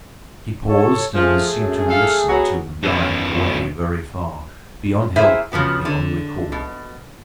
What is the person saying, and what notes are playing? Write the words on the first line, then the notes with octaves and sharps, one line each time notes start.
He paused, and seemed to listen to them dying away very far--beyond help and beyond recall.
A4 C#5
F3 A3 G#4
F#2
A4 F5
F#3 B3 F#4
F#2 B2
A#3 E4 G#4 C5 E5
C#3 F3 B3 F#4
D3
B2